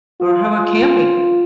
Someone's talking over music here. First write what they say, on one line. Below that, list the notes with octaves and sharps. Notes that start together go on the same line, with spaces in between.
Or how 'bout camping?
F4